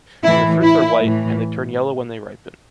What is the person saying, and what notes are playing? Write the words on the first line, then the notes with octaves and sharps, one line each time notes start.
Their fruits are white, and they turn yellow when they ripen.
A2 E3 E4
E4
A2 E3